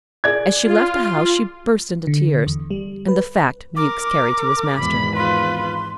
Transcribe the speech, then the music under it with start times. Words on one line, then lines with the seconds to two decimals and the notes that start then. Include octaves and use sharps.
As she left the house she burst into tears; and the fact Mewks carried to his master.
0.24 G#4 D5 G#6
0.67 F4
2.07 D3
2.46 E2
2.70 G3
3.08 B4
3.76 A#4 D6
4.78 G#1 E2 B5
5.16 F4 B4 C6